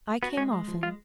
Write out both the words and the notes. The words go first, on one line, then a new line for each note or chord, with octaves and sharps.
I came often.
B3 F#4
G#3 C#4
G#3
F3
G#3 F4